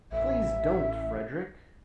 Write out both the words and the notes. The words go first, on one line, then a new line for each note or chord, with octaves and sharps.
Please don't, Frederick!
A1 E5